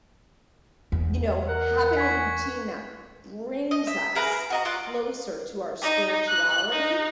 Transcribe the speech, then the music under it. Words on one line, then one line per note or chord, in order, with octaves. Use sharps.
you know, having a routine that brings us closer to our spirituality,
E2
A#4 F#5
G#5 C#6 G#6 B6
D#5
E5
G#4 A#4 B4 A#5
A#4
F#4 D#5 A#5
F4 D5 F#5
D#4
F#6
D#4